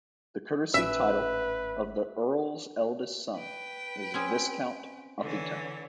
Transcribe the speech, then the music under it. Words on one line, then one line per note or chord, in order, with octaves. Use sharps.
The courtesy title of the Earl's eldest son is Viscount Uffington.
G#1 A2 C#4 B4 E5
B4 G5
C4 C#4 G#4
D3 E3 C#5